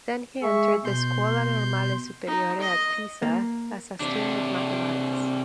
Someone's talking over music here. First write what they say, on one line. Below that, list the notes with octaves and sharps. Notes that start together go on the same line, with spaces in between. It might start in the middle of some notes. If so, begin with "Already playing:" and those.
Then he entered the Scuola Normale Superiore at Pisa as a student of mathematics.
G#3 G#4 E5 C#6
B2 C6 G6
D#4
D#5
A#3
C3 D4